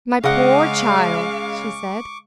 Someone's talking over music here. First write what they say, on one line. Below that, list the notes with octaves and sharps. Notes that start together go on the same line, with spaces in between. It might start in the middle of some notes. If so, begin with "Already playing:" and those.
"My poor child!" she said.
C#3 G#3 D#5 F5 F#5 C#6 D6